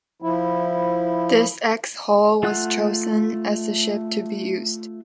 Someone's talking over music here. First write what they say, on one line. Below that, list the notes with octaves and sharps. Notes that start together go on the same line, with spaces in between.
The ex-"Hoel" was chosen as the ship to be used.
F3 E4
A3 F4 F#5 F#6